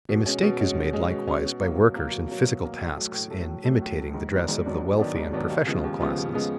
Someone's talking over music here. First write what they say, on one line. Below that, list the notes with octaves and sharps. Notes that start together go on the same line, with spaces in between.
A mistake is made likewise by workers in physical tasks in imitating the dress of the wealthy and professional classes.
B2
G#3 C#4
B2
G#3 C#4
B2
G#3 C#4
B2
G#3 C#4
B2
F#3 A#3
B2
F#3 A#3
B2
F#3 A#3
B2
F#3 A#3
A2
F#3 A3
A2
F#3 A3
A2
F#3 A3
A2
F#3 A3
G#2
D#3 F#3 B3 D4
G#2
D#3 F#3 B3 D4
G#2
D#3 F#3 B3 D4
G#2
D#3 F#3 B3 D4
D#2
C#3 F3 G#3 B3
D#2
C#3 F3 G#3 B3
D#2
C#3 F3 G#3 B3